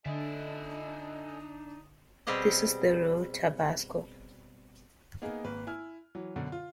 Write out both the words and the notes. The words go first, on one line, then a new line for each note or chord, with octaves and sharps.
This is the real tabasco.
D3 D4 D#4 A4 D#5 E5 G#5
B2 G3 C4 G4 G#4 D#5
A#3 B3 D#4 G#4
G#1 A#3 B4
E4 G#5 F6
E3 F#3
F#2 B2 D3
F4